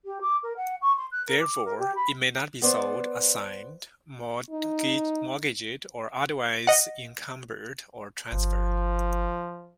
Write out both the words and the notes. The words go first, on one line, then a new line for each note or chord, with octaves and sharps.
Therefore, it may not be sold, assigned, mortgaged, or otherwise encumbered or transferred.
G4
D6
A#4
F#5
C#6
C6
F#6
A#4
D6
A#4
G4
B5
B3 C5 D5
D#4
D#5 F#5
G1 F3